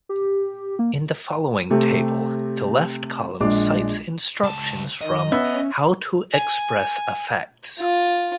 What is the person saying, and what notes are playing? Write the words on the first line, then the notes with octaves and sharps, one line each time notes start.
In the following table, the left column cites instructions from how to express affects.
G4
A#3
C3 A3 C4 G4
A#1 G#3 D4 D6
C#2 A5
D#3 D#5
B3 C#4 E5
G#5
F4